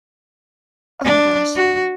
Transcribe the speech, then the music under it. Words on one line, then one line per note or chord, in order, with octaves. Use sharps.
Oh my gosh.
D4
F#4